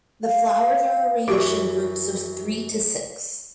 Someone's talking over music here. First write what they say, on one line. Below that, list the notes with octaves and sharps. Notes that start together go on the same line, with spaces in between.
The flowers are arranged in groups of three to six.
F5
F#2 E3 G4 D5 C#6